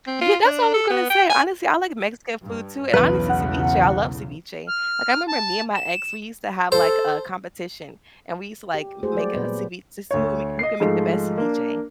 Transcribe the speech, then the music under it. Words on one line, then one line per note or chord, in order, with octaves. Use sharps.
yeah, that's what I was gonna say. Honestly, I like Mexican food too, and, honestly, ceviche I love ceviche. Like, I remember me and my ex, we used to have, like, a competition, and we used to, like, m make a cevi to see who can make who can make the best ceviche.
C4
F4
D4
A4
B3
G5
G#5
G2
B1 E2 C#3 B4
F#5
F6
A5
E7
A4 C5
G4
G#3 A3 E4 F#4 G#4 C5
F#3 G3 A#4 D5
A#2 F#3 B3 B4
B4
D2 C#5
D#5 C7
G#2 F3 G#3 A3
A#3 D4